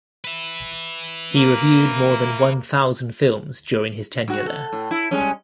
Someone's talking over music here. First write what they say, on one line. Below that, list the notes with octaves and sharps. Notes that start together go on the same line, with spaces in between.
He reviewed more than one thousand films during his tenure there.
B4 E5
A#3
G2 F#4
A4
A2
E4
G3 G#3 C#4